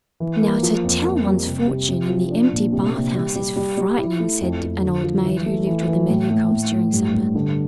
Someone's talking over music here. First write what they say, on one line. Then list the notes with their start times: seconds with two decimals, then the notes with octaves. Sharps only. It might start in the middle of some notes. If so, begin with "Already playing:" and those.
"Now to tell one's fortune in the empty bathhouse is frightening!" said an old maid who lived with the Melyukovs, during supper.
0.20 E3
0.42 A#3
0.63 F3
0.84 F2
1.05 A#3
1.26 G3
1.46 C3
1.68 C3
1.89 C3
2.10 F3
2.31 D4
2.52 A#2
2.73 C3
2.94 C3
3.15 G3
3.36 G3
3.56 G3
3.78 G3
3.98 E4
4.20 A3
4.41 F2
4.61 F2
4.82 D3
5.04 F3
5.25 E3
5.46 A3
5.67 E3
5.88 E3
6.09 A2
6.30 A2
6.51 A2
6.72 A2
6.93 G2
7.14 G2
7.35 D3